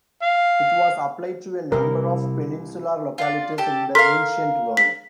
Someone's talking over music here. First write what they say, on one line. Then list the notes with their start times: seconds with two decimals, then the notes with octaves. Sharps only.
It was applied to a number of peninsular localities in the ancient world.
0.22 F5
1.72 C2 C3 G3 E4 A#4 C5
3.18 F4 D5
3.58 G4 A4
3.95 A4 A#4 F5 C6 B6
4.77 B6